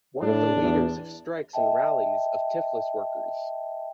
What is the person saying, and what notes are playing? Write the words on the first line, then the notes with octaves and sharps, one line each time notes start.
One of the leaders of strikes and rallies of Tiflis workers.
A2 D4
E2
D#5 E5 G5 A5